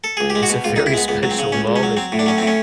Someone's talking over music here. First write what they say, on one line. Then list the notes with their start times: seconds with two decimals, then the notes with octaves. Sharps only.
It's a very special moment, dude.
0.04 A4
0.17 C#2 G#4
0.30 G4
0.35 G#3
0.43 F#4
0.49 B2
0.64 C#2 F4
0.76 D#4
0.80 C#2
0.86 E4
0.94 G#3 B3
1.08 C#2 B3
1.23 F#3
1.31 C4
1.39 C#3
1.52 C#2 C#4
1.67 C#2
1.76 C#4
1.83 F#3
1.97 F#3 C4
2.12 A2
2.19 D4
2.26 F#3 C#4
2.38 A2 C4
2.47 C#4